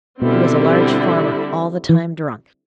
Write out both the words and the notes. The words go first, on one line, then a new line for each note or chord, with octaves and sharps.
He was a large farmer, all the time drunk.
B2 D3 G3 C4 E4
E3